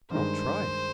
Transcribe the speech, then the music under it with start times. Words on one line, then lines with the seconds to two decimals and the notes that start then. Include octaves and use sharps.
I'll try it.
0.11 G2 D#3 G#3 C5